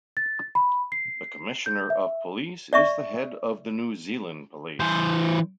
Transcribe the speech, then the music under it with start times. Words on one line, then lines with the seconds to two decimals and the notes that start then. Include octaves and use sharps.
The Commissioner of Police is the head of the New Zealand Police.
0.17 A6
0.55 B5
0.92 C7
1.66 G6
1.90 E5
2.73 D5 E5 C#6
4.80 E3 C5